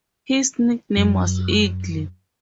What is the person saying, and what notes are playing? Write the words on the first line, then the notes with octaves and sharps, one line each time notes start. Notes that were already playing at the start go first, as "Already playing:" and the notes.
His nickname was "Eagle".
F#2